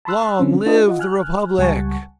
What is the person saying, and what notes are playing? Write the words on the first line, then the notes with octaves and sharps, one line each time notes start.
"Long live the Republic!"
A5 B5 C6 E6 F#6
D3 E3 F#3 C4 C#4
D4 F4 A4 B4 D#5 A5
F4 D#5 F#5
G#5 F6 F#6
C#2 G3 F#5 G#5 A5 C#6